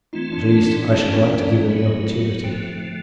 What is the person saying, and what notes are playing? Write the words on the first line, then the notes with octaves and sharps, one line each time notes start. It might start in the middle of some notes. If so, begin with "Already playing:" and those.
At least, I should like to give him the opportunity.
E3 A3 C4 D#4 F4
D4
D4
C#4
E3 G3 A#3 D4 D#4
C#4
C4
F#3 B3 E4
D3 F3 A3 C4